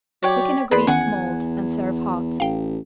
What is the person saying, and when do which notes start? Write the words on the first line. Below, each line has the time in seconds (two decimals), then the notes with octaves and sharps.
Cook in a greased mold and serve hot.
0.23 F#3 G4 C#5 D5
0.71 E2 G#4 B4 D5 B5 C6
0.87 E2 D#3 B3 C#4 F#5 G#5
2.40 A1 F5 G5